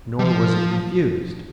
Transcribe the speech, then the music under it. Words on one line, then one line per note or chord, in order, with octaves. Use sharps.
Nor was it refused.
G3
F3